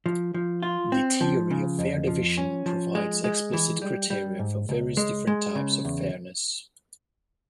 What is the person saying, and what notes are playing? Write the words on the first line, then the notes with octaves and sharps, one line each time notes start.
The theory of fair division provides explicit criteria for various different types of fairness.
F3
F3
F4
C4
F3
C#3
F2
F3
C#4
F3
G#3
G#3
E3
G3
G3
G#2
C#2
G#3
G#3
C#3
E2